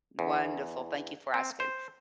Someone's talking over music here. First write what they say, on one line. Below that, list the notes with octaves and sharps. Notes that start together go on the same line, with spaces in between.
Wonderful, thank you for asking.
E2
C4
C5